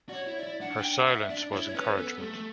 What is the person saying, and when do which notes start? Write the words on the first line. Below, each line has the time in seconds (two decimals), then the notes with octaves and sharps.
Her silence was encouragement.
0.09 F#4 D5
0.14 C#5
0.27 E4
0.38 D5
0.43 E4
0.60 D4 F#5
0.78 G5
0.95 F#5
1.06 F#5
1.13 E5
1.29 D4 D5
1.52 E4 C#5
1.60 D5
1.67 C#5
1.75 C#4 B4
1.98 B3 A4
2.18 G3
2.21 A3 A4
2.36 A3